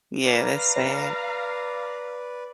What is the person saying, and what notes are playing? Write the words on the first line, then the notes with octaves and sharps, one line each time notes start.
Yeah, that's sad.
B4 D5 F5 A#5